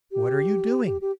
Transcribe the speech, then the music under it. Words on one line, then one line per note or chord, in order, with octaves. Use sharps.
What are you doing?'
G4
G4
G4